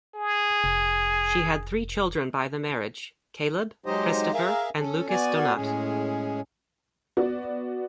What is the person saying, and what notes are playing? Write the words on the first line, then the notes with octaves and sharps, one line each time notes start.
She had three children by the marriage; Caleb, Christopher, and Lucas Donat.
G#4
F1
F#3 G#3 D#4 G4 C5 D#5
G#4 A#4 E5 F5
C#4 A4
B3 F#4 D5 G#5
A2 G#3 C#4 G#4
B3 F#4 D5